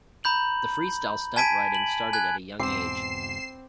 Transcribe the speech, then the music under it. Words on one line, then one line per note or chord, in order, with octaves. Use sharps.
The Freestyle stunt riding started at a young age.
A#5 B5 G6 F#7
G#5 A5 G#6 B6 D7 D#7
F#7
G#5 F#6 G#6
E2 G#2 B2 C4 D6 C7 E7